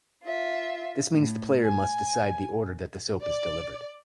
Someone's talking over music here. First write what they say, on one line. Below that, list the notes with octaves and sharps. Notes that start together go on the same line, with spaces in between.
This means the player must decide the order that the soap is delivered.
F4 E5
A2
G#5
D5